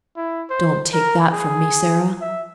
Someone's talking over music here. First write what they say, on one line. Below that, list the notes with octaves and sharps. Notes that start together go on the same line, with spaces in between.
Don't take that from me, Sara.
E4
C5
A#4
G#4
E5